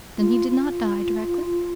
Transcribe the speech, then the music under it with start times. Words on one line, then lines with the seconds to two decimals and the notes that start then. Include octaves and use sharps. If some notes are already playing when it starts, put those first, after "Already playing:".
'Then he did not die directly?'
0.18 F4
0.50 F4